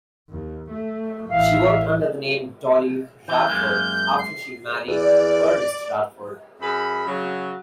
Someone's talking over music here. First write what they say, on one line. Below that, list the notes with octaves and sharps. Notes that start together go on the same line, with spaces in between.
She worked under the name "Dollie Radford" after she married Ernest Radford.
D#2
A3
A1 E3 E5 F5
E3 G6
F#2 G#3 A#3
C7
E2 D5
F#2 G#4 B5
C#3 F#3